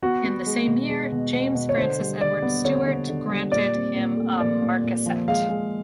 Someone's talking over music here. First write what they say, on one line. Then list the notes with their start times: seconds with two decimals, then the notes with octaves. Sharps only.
In the same year, James Francis Edward Stuart granted him a marquessate.
0.02 B3 F#4
0.24 B3
0.46 G#3
0.67 B2
0.89 G#3
1.12 B2
1.33 B2
1.55 B2
1.69 C#5
1.77 D3 C5
1.99 G3
2.20 D3 D5
2.42 B3
2.64 D3 C#5
2.87 D3
3.09 D3
3.30 G3
3.52 A#2 D5
3.75 C4
3.96 A#2
4.17 A3
4.39 A#2 D5
4.62 A#2
4.84 A#2
5.06 F3
5.28 G#3 F5
5.49 G#3